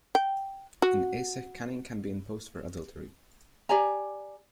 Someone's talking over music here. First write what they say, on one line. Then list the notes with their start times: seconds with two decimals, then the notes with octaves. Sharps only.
In Aceh caning can be imposed for adultery.
0.15 G5
0.82 F#4
3.69 G4 D5 G#5 A#5